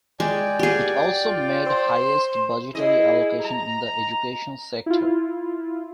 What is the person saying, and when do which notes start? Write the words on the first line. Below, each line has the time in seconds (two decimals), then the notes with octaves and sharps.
It also made highest budgetary allocation in the education sector.
0.20 G#3 D5 G5 G#5
0.59 A#3 G4 G#4 F#5
1.24 F4
1.67 C5 C6
2.75 E4 G#4 D#5
3.42 A#5
4.86 E4 F4